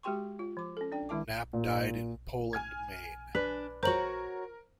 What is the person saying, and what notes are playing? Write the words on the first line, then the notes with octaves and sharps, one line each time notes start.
Knapp died in Poland, Maine.
G#3 F#4 G4 G5 C6 C#6
F4
F3 D6
C#4 A4
D4 D5 G5
D#3 G#3 E4 E5 A5 D6
A#2
G#5 F6 G#6
D4 B4
F#4 A#4 C5 C#5 A#5 F#7